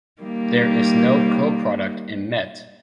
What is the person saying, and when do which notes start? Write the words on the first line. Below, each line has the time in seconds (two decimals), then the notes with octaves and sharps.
There is no coproduct in Met.
0.22 D#3 G3 A#3